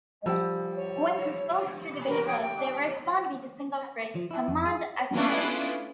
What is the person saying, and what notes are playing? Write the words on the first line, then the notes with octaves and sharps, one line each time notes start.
When he talks to the vehicles, they respond with a single phrase, "Command Acknowledged".
F3 G3 E6
C#5
F#4 A#4 B4
C#5 G5 D#6
G5
F3
E4
F2
G#4
A3 B3 C#4 D4 E4 F4